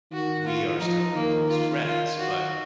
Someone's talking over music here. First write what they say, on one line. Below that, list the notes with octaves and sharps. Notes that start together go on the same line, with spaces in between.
we are still close friends, but
D#3 F#4
F4
F3 D#4
D#3 A#3
F4
D#3 F4
F#4